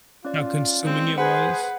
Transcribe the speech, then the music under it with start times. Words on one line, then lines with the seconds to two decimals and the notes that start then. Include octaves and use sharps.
How consuming it was?
0.25 C#4 F4 D5
0.84 G#3 C4
1.18 G#4 B4 C5 F#5